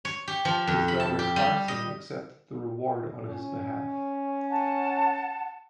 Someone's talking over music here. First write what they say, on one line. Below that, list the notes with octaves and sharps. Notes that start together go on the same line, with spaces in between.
His daughter Carson accepted the award on his behalf.
C#5
G4
F3
F2
B5
A5
G4
G3
D#5
C#4
F#5 A5